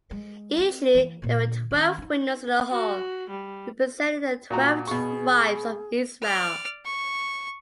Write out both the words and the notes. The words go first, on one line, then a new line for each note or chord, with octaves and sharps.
Initially there were twelve windows in the hall, representing the twelve tribes of Israel.
G#3
C4
E3 A#3
A#2 D3
D#3 C#4
D4 D#4
F#4
G3
A#2 F#4 A#5
B2 G#4 C#6
D5 F6
C#6